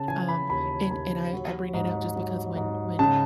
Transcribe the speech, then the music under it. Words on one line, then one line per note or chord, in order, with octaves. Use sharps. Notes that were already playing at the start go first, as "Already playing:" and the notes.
Um, and and I I bring it up just because when when,
Already playing: C#3 A5
E3 G#5
B5
D#2 B5
D#2 B5
F#3
G#2
F#3
G#2
C#3 A5